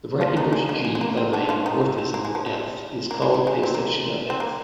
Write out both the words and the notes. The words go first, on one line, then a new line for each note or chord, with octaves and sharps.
A right inverse "g" of a morphism "f" is called a section of "f".
F3 F4
D#3 D#4
G#3
G3
G#3
G#3
A#3
C4
D3 D4
F3 F4
D#3 D#4
C4
C4
A#3
G#3
F3
G3
A#3
G#3
G3
G#3
C4
A#3
C4
A#3